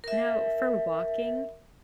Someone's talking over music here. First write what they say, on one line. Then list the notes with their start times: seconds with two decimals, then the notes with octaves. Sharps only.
No, for walking,
0.04 A#4 E5